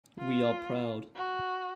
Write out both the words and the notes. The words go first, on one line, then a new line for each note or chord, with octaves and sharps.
We are proud.
F4
F#4